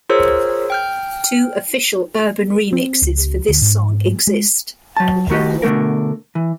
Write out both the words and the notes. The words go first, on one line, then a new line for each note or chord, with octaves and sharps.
Two official urban remixes for this song exist.
F4 G#4 A#4 C5 C#5 E6
G5 F6 G6
C4
C#2
D2
G#2
G#3
F#3 A5
D#3 A3 F#4 G4 D#5
B2 D3 A3 A#3 A#4
E3